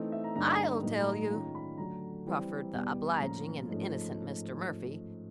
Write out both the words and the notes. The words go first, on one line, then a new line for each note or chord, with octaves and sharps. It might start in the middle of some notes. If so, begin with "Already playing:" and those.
"I'll tell you," proffered the obliging and innocent Mr. Murphy.
Already playing: E3 A3 C4 D#4
E5
A#5
G2 D3 G3 A#3 D#4 A#5
A2 F#3 A#3 D#4
A#5
A#5
D#3 G#3 C#4 F4 A#5
B5
D3 F#3 A3 A#5
E3 G3 C4
E2 B2 G3
B5
A2 F3 A#3 C#4 F4 A#5
G#2 F3 A3 C#4